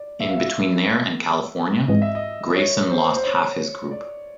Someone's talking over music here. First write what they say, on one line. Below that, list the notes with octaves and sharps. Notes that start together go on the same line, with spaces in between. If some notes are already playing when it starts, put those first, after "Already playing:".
In between there and California, Grayson lost half his group.
Already playing: D5
E5
F5
E5
G#2 E3 G#3 C4 D#5
E5
D#5
C#5
C5
C5
C#5
D5